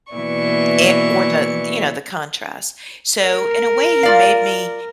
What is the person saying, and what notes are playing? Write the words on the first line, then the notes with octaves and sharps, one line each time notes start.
A or the, th you know, the contrast. So, in a way, he made me
B2 E3 A#3 E4 D5 C#6
A#4
F4 D5 F5